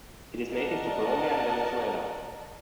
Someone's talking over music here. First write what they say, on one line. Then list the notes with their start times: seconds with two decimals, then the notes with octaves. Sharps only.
It is native to Colombia and Venezuela.
0.50 A#4 D5 D#5 F#5 A5